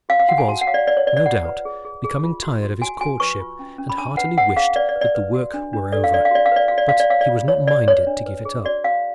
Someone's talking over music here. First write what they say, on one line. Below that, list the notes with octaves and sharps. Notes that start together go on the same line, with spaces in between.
He was, no doubt, becoming tired of his courtship, and heartily wished that the work were over; but he was not minded to give it up.
F#4 F5
F5
F#4 F#5
G#5
F#4 A5
F#5
C#5 F5
D5
B4 D5
C#5
B4 D5
D5
F4 F#5
B4
G#4
G#4
G#4
F4
F#4
F#4
F#4 G#5
F#4 G#5
B4 C#6
F4
C#4
C#4
B5
D4 A5
B4 F#5
B4 F#5
G#4 F5
B4 D5
D5
B4
D5
B4
F#4
D4
D4
A4 D5
F5
F#4 D5
F5
F#4 D5
F5
B4 D5
F#4 F5
D5
F#4 F5
D5
C#5 F5
D5
F4
C#5
C#5 D5
B4 C#5
D4
B4
G#4
F#4 D5
F#4 F5